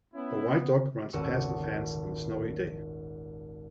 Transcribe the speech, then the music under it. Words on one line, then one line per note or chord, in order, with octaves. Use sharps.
A white dog runs past a fence on a snowy day.
B3 C#4 E4
D#1 G#1 F#4 A4 D7 D#7